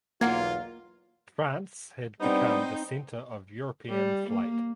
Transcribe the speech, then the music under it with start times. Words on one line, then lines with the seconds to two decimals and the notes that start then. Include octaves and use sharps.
France had become the centre of European flight.
0.21 B1 E2 A#3 F4 F#5 G#6
2.21 G3 B3 C4 D4 D#4
3.90 G3
4.29 A#3